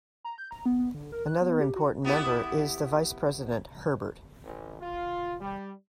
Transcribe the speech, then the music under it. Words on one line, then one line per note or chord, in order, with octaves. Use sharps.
Another important member is the vice president "Herbert".
A#5
G6
A#5
B3
B3
D3
A#4
F#6
B3
G4
F#4
B3 E4 G4
A1
F4
G3